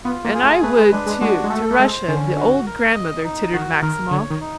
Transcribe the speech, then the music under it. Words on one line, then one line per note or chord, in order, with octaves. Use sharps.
"And I would, too ... to Russia, the old grandmother!" tittered Maximov.
B3 F4
A#3
G#4
A3
A3 B4
G#3
G#3 D4
G#3
G#3 F#4
G#3
A3 A4
A3
G#3 C5
D3 C#4
F#4
A#4
D#5
D#4
D#3 F#4
D#3 A#4
D3 C#5
D#3
D#4